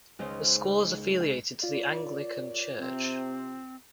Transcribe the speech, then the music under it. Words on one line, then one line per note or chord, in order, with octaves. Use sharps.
The school is affiliated to the Anglican church.
C#2 C#3 C#4 D#4 C5
F4 A#4 C#5 D5
C3 C4